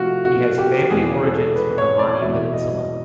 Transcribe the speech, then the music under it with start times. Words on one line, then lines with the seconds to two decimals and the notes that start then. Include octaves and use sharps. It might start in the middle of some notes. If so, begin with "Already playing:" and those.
He has family origins from the Mani Peninsula.
Already playing: C3 F3 A3 F4 F#4
0.25 F#4
0.58 G4
0.90 E2 B2 G#3 G#4
1.23 A4
1.56 B4
1.78 C#5
1.99 D5
2.21 E2 B2 G#3 E5
2.53 D#5